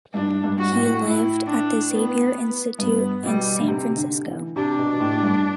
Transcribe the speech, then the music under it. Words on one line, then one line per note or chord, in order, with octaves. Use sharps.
He lived at the Xavier Institute in San Francisco.
G2 D4
G2
F#4
A2
E4
D4
B3
G2 B3
B2 G3
D3
C3
D3
E3
C3 D4
B2
A2
G2